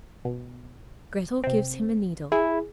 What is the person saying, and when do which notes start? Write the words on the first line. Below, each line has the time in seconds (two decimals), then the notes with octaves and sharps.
Grettel gives him a needle.
0.25 B2
1.44 C3 C4
2.32 E4 G#4